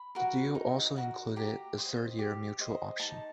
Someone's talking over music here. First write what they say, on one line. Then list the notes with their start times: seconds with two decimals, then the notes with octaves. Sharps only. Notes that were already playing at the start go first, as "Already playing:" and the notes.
The deal also included a third-year mutual option.
Already playing: B5
0.15 F#4 A#4
0.55 D#4
0.96 F#4 A#4
1.36 G4 A#5
1.78 C5 D#5
2.19 G4
2.59 C5 D#5
3.00 D#4 A5